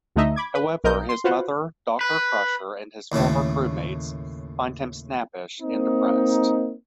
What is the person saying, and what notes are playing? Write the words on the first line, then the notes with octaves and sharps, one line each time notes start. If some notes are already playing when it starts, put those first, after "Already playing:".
However, his mother Doctor Crusher and his former crewmates find him snappish and depressed.
D2 D3 A3 D#4 D#5 E5
B5 D6 G#6
B4
B1 A#4 D#5 G6
C6
F4 F#4 B4 C5 F#5
B4
D#2 A2 C#3 A3
A#3 C4 D#4